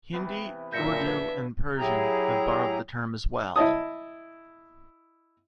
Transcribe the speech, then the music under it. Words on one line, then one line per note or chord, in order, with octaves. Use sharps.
Hindi, Urdu and Persian have borrowed the term as well.
C3 E3 B3
F#2 A#2 D4 E5 G6 A#6 C#7
B4
F#3 E4 G4 G#4 A#5
E4 D#5 A5 D#6